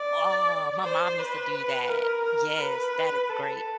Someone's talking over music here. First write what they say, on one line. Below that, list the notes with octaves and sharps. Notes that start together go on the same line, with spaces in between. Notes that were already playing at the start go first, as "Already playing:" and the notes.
Oh, my mom used to do that. Yes, that is great.
Already playing: D5
C5
B4
A#4
A#4
B4
A4